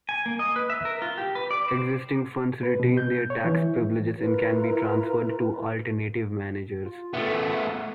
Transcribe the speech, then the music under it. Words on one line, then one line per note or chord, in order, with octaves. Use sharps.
Existing funds retain their tax privileges and can be transferred to alternative managers.
G#5
A#3
D#5
B4
E5
A#4
F4
G4
B4
D5
C5
B4
B2
G6
C#5
E3
E4 F4 A#4 B4
F4
A3 B3 E5